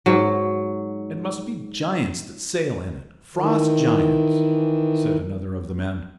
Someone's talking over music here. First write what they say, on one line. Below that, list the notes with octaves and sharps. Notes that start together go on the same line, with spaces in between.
"It must be giants that sail in it, frost giants," said another of the men.
G#2 F#3
D#3 E3